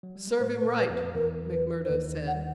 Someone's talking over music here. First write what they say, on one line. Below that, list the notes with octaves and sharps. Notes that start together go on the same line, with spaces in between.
"Serve him right," Macmurdo said.
F#3
G3
G#3
A2 A3 C5
B4
A#2 A#3
B4
F2 F3
B4
E2 E3 A#4
B4
C5
D#2 D#3 B4
F#5